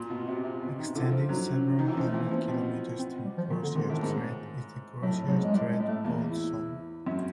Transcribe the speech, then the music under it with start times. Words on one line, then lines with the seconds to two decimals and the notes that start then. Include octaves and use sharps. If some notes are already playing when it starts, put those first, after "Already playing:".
Extending several hundred kilometres through Crozier Strait is the Crozier Strait Fault Zone.
Already playing: A#2
0.10 B2 F4
0.27 C3 F#4
0.44 C3 F4
0.61 B2
0.79 D#3
0.95 D3 E4
1.08 F4
1.12 F3
1.29 F#3 D#4
1.46 C#4
1.79 D#3
1.88 E3
1.97 F3
2.06 A3
2.14 E3
2.20 A#3
2.31 F3 B3
2.48 B2 C4
2.99 C4
3.24 G3
3.38 F3
3.50 A#2 D#3
3.63 D3
3.75 G#2 D#3
3.88 A2 D#3
4.03 G#2
5.02 A2 F#3
5.28 G#2 F#3
5.43 G#3
5.54 A2 G3
5.71 G#3
5.80 A2
5.88 A3
6.04 E2 A#3
6.30 E4
7.06 F#2